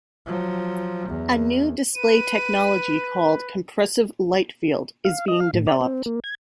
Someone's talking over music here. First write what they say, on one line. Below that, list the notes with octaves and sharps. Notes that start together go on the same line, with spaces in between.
A new display technology called "compressive light field" is being developed.
F3 F#3
E2
B4 D#7
F5
D#5
F5
A2
D5
C4
A#3
G#6